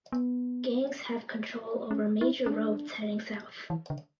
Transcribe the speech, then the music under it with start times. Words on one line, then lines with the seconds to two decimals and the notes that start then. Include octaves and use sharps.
Gangs have control over major roads heading south.
0.12 B3
1.91 C#4
2.21 E4
2.46 C#4
2.51 D4
3.70 E3
3.90 D3